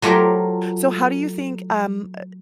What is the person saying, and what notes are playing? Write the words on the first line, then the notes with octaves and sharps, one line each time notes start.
So how do you think, um, eh,
F#3 A3 F4 G4 A#4 C5